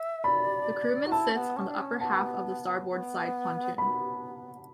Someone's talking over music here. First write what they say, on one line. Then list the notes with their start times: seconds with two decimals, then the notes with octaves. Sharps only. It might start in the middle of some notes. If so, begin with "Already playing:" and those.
The Crewman sits on the upper half of the starboard side pontoon.
Already playing: E5
0.24 D5 B5
1.06 F#4
1.12 E4 A5
1.30 C#4
1.34 B3
1.56 C#4
1.68 D4
1.79 C#4
2.00 B3 A5
2.90 B3
3.77 B3 B5